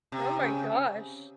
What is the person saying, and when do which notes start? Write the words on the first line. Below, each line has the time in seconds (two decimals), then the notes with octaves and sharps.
Oh my gosh.
0.12 C3
0.39 C#3